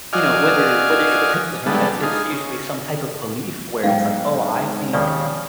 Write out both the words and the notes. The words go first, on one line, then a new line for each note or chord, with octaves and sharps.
you know, whether whether you're religious or not, it's it's usually some type of belief where it's like, "Oh, I think
F#4 D5 D#5 F5 G#5 F6
G3 G#3 B3 D4 A4
D#4 F4 G#4
C#3
B1 G#2 F5 G5
D#2 C#3 F3 D5